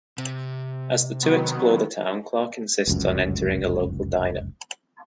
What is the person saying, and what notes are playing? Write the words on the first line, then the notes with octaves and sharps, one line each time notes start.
As the two explore the town, Clark insists on entering a local diner.
C3
D#3 F#3 B3
F1 C#2 F#2